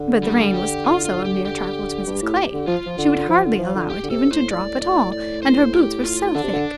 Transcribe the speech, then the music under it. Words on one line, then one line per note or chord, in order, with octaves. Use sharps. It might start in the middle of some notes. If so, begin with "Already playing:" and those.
But the rain was also a mere trifle to Mrs Clay; she would hardly allow it even to drop at all, and her boots were so thick!
Already playing: D3
G3
G4
F4
F4
G4
G4
G2
A2
D3
F3 F4
F3
D3
F3
D3
F3
D3
G4
D3
C3 A4
A2 C5
A2 D5
D5
D5
C5
G4
F4
D3 D4
C3
D3